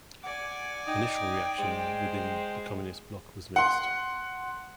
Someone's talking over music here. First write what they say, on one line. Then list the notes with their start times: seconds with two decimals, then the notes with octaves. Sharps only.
Initial reaction within the Communist Bloc was mixed.
0.23 D5 F#5 G#5
0.87 D#4 G5 D#6
1.59 G#3 C5
3.56 F#5 C6